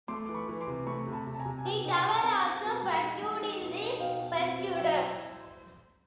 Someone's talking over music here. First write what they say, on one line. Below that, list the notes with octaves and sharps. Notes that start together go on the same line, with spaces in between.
The tower also featured in The Persuaders!
A3 C6 D6
E3 D6
B5 C#6
E3
C6 D6
C3
A3 B5 C#6
C3
A5 B5
C3
A5
G#5 A#5
C3
G#5
B2 G5 A5
D#4
G5 A5
D#4
A5
F#5 G#5
C4
C4
B2
G#3
D#4
G#3 F#5 G#5
D#4
B2
D#4
B2 F5 G5
B2
C4
B2
G5
F#3 E5 F#5
E4